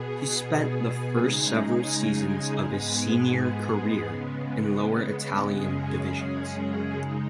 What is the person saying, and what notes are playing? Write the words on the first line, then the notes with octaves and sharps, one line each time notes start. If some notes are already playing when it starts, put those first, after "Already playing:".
He spent the first several seasons of his senior career in lower Italian divisions.
Already playing: B2 B3 G#4
C#3 G#3 D#4 G#4
G#2 G#3 B3 G#4
C#3 G#3 B3
F#2 C#3 G#3 C#4 G#4
C#3 G#3 D#4